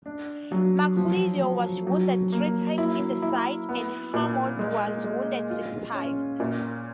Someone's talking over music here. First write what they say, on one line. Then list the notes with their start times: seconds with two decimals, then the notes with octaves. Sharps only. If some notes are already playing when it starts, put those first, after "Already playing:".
McLeod was wounded three times in the side and Hammond was wounded six times.
0.06 D4
0.52 F#3
0.97 F3
1.42 F3
1.87 F#3
2.32 A#3
2.78 E4
3.22 E4
3.69 B3
4.14 A#2
4.59 G#3
5.04 G#3
5.50 F4
5.95 C#4
6.40 A#2